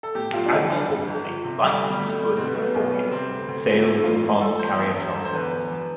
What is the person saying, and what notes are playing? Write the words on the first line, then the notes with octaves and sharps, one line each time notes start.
Admiral Halsey, like Spruance before him, sailed with the Fast Carrier Task Force.
A4
A2 G4
B1 F4
D4
B1 E4
G3 D4
F2
G1
F3
C3
D3 G3
D2
G3
D2 A3
G3
B2 C4
B3
B1 A3
B3
B1
G3
C3 C4
D2
D2
F3
A2 E4
A1 F4
A1
F3 A4
E2 C5
E1
E1
D3
C5
E2 B4
E1
E1